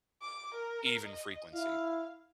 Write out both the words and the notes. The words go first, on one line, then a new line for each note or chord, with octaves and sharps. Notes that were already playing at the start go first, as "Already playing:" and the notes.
even frequency.
D6
A#4
D#5
E4 F5